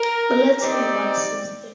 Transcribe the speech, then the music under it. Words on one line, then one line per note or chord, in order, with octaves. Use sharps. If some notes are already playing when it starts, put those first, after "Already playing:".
Bulletin Board System.
Already playing: A#4
C4 D#4 G4 D5